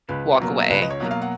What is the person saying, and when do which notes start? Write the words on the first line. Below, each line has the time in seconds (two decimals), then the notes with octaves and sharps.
walk away,
0.09 C#2 B4
0.40 B2 F#3 A#3
0.70 C#2 B4
0.82 D#5
0.90 C#5
1.00 B2 F#3 A#3
1.11 F5
1.21 F#5